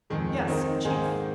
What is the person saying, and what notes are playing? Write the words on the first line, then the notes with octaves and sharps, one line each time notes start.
"Yes, a chief."
F2 D#3 G#3
D#3 C4 D#4 A#4
G#2 D#3 A#3 G#4 C5